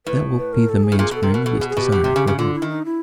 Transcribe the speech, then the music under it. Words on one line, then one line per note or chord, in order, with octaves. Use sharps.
And that will be the mainspring of his desire for her.
A2 B4
B4
A#4
A4
G#4
A2
A#2 G#4
B2
A4
C3
B2 A#4
B2 A4
G#4
B2
G#4
B2 G4
B2
C3
C#3
C#3
D3 F4
E4
D#3
D#4
E4